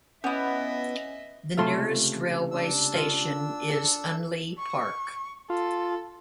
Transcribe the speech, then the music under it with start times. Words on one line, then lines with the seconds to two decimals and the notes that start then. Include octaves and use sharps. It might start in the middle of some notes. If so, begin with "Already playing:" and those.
The nearest railway station is Unley Park.
0.24 B3 C#4 E4 D#5 E5
1.57 C#2 C3 A3 F4 F5 C6
2.51 D4 E6
2.94 F4
3.70 A4
4.59 C#6
5.50 F4 A4